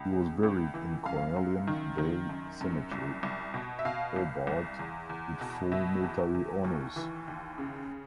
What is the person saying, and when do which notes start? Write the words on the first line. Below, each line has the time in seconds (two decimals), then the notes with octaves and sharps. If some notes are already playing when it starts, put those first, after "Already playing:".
He was buried in Cornelian Bay Cemetery, Hobart, with full military honours.
Already playing: C#2
0.12 C#3
0.43 C#2
0.74 E3
1.06 F#2 F5
1.36 F#2
1.67 D#3
1.98 D#3
2.29 F#2
2.61 F#2
2.92 C2
3.23 C2
3.54 B2
3.79 E5
3.85 B2 F5
4.16 C2
4.47 C2
4.79 E2
5.09 E2
5.41 B2
5.72 B2 E5
6.03 E2
6.34 E2
6.64 D#2
6.96 E3
7.28 D#2
7.58 C#3